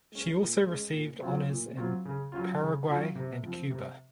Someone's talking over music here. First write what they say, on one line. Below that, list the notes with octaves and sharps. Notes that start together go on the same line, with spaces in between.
She also received honors in Paraguay and Cuba.
G#3 C#4
A#2
G#3 C#4
A#2
F#3 C4 F4
A#2
F#3 C4 F4
C#3
F#3 C#4 F4
C#3
F#3 C#4 F4
C3
F3 C4
C3